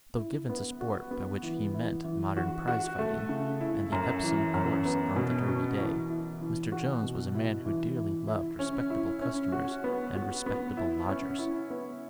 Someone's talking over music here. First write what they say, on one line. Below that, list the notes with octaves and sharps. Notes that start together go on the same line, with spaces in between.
But though given to sport, by which he meant modern prize-fighting and the Epsom course on the Derby day, Mr. Jones was a man who dearly loved respectable customers and respectable lodgers.
E4
B3
F#4
B3
E3
E4
E3
F#4
F#4
A3
C#3
E4
F#2
E3
F#2
B3
B2
C#4
E3
E4
E3
F#4
B2
E4
E3
E4
E4
C#4
E4
C#4
F#4
B3
F#4
B3
E4
C#4
E4
B3